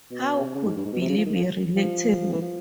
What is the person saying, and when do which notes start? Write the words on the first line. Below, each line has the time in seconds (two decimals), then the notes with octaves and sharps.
How could Billy be relatable?
0.11 B2
0.44 C3
0.55 C#3
0.65 G#2
0.77 G2
0.85 G#2
0.93 B2
1.01 C3
1.09 C#3
1.18 F3
1.26 D#3
1.35 F3
1.76 F3
2.33 E3
2.42 F3